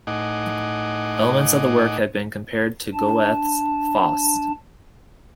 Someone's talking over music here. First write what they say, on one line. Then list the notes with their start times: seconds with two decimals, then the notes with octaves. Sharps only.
Elements of the work have been compared to Goethe's "Faust".
0.07 A2 D#4 D#5 F#5 G#5 D6
2.94 D4 A5